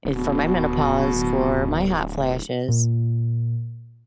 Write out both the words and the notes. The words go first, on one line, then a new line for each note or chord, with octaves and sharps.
eh, for my menopause, for my hot flashes,
D1 B2
A#2